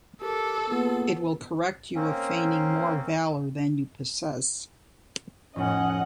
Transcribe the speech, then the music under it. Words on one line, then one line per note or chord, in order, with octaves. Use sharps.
It will correct you of feigning more valour than you possess.
G4 A4 A#4 D6
A#3 B3 F4 G#4
A#3 C4 C#4
F1 A2 C#4 D#5 F#5